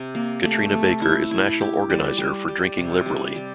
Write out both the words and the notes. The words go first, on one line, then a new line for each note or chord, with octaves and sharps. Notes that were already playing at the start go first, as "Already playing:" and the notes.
Katrina Baker is National Organizer for Drinking Liberally.
Already playing: C3
A#3
A3
A3
E4
E4
G4
G3
G3
G3
C3
G3
G3